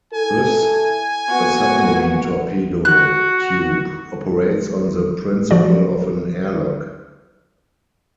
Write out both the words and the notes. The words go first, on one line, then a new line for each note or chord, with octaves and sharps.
Thus a submarine torpedo tube operates on the principle of an airlock.
E4 A4 G#5
A#3 B3 F#4
F#4 F#6
F3 F#4 D5